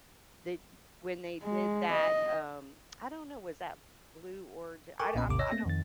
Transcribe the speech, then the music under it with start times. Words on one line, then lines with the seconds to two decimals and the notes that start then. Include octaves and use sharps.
Did when they did that, um I don't know, was that Blue Orig I I'm I don't
1.43 G#3
1.91 D#5
4.99 A4 A#4 G5 G#5 C#6 D6
5.15 B1 A#2 B3 C#4 D#5 B5
5.27 A1 D#2 G#2 C3 D6
5.39 C#5 D#5 E6 A#6
5.52 A3 A#3 C4 A#6
5.66 F2 D#3 A6